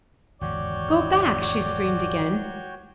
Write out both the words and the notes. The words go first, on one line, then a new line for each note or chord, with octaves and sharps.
"Go back!" she screamed again.
G#1 E2 D3 F#4 C#5 D5 G5